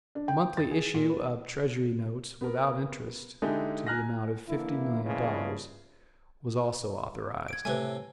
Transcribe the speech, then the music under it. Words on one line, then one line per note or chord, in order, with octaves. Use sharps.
A monthly issue of Treasury notes, without interest, to the amount of fifty million dollars, was also authorized.
D4
G5
A6
G#4
A#2
B4
B3 A#4
D3 G#3 D#4 E4 G4 G#4
G#5 A#5 F6 F#6 A#6
D3 E3 A#3 E4
E2 A#2 C#3 E3 F3 G#3
G#6 D7
A2 C3 B4 G#5